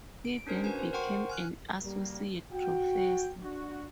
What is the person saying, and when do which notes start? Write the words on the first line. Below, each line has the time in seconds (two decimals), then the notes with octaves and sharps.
He then became an associate professor.
0.25 D7
0.47 C#4 D4 A#4 C5
0.64 F#4 A#4 B4 G#5
0.79 C5
0.93 A#4 C5 F#5 G5 C6 C#6
1.30 G#5 F6 F#6
1.81 G3 A#3
2.52 F#4 G5
3.41 D4 F#4